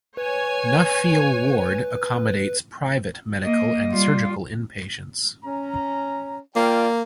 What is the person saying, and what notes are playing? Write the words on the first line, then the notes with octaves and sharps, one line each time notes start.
Nuffield ward accommodates private medical and surgical inpatients.
B4 C#5 G#5
A#3 D#5
G3 F4
C#4 A#5
A#3 F4 D5 G5